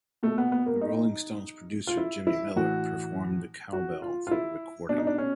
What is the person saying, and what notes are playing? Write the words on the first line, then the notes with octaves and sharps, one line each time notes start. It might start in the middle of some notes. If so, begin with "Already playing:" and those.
The Rolling Stones' producer Jimmy Miller performed the cowbell for the recording.
B2 A3
B3
B3
A#3
D#4
F4
E4
E4
A2 E3 F#4
F#4
F4
F4
E4
B2 D4
D#4
D4
C#4